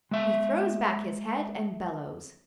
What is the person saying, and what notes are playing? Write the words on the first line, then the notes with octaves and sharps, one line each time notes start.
He throws back his head and bellows.
G#3 E5